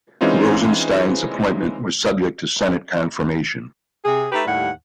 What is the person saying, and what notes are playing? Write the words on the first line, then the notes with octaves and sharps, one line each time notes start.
Rosenstein's appointment was subject to Senate confirmation.
E3 G#3 C4 C#4 D#4 F4
C3 G#4
A3 D#4 G4 B4
D#2 A2 G3 F#5